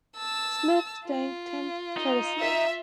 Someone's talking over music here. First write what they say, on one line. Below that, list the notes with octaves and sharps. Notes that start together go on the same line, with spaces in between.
Smith thanked him courteously.
A5 E6
F4
D#4
F4 E5